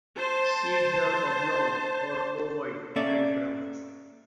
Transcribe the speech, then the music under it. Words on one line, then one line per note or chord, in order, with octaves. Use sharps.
Seeds are oblong or ovoid and brown.
C5 A5
A#3 C#4 A4 D5 E5